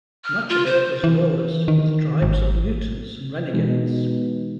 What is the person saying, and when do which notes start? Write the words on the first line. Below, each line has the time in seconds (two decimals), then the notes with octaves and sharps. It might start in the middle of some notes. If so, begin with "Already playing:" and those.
Much of it was lawless with tribes of mutants and renegades.
0.25 F6
0.49 F4
0.66 C5
1.04 E3
1.68 D#3
2.22 G#1
3.53 B2 E3 G#3 D#4